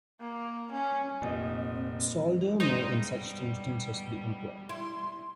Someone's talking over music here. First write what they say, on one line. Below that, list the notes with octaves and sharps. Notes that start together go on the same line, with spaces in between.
Solder may in such instances be employed.
A#3
C#4
F1 A#2 C4 D#4 D#5
G2 B2 G3 G#3 D#4 C5
E4 C6